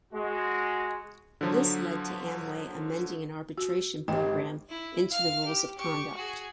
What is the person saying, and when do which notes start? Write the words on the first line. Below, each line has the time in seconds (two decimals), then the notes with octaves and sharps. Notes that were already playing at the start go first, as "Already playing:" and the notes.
This led to Amway amending an arbitration program into the rules of conduct.
0.14 G#3 F#4
1.41 D3 F3 F#3
3.58 F#4
4.08 G#1 G4 G5
4.69 E4
5.09 F5 F6
5.45 G4
5.78 G4 C#6
6.15 F#4 G#4